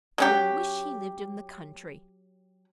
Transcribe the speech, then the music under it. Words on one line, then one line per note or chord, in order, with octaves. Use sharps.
I wish he lived in the country.
F#3 C#4 G4